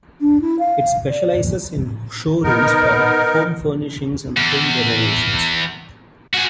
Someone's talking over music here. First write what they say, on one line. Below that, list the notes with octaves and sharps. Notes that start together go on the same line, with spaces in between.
It specialises in showrooms for home furnishings and home renovations.
D4
E4
F5
D5
B3 D#4 A#4
E2
F#4 G#4